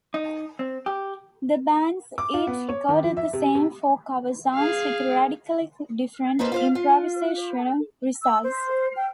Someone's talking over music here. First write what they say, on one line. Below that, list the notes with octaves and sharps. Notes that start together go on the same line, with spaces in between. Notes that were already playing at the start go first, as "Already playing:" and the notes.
The bands each recorded the same four cover songs with radically different improvisational results.
D#4
C4
G4
D6
F4
B3
C#5
D#3
F3
E5
C3
C3
G#4 F5
A#3 D#4 A4 B4 C5
F4 C5 F5
F4
E6
C5
G5